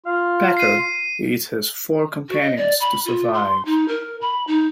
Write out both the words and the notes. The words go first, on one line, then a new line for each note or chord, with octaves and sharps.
Packer ate his four companions to survive.
F4 F5
C7 D#7
F#4
D#5
D5
B5
F4
C6
D#4
A#4
B5
D#4